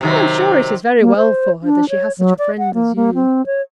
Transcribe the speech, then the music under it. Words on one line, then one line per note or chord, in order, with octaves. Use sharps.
'I am sure it is very well for her that she has such a friend as you.'
C3 D#3 F#3
A#3
C5
D4
C#5
F#3
D5
F#5
A#3
A#3
C4
C#5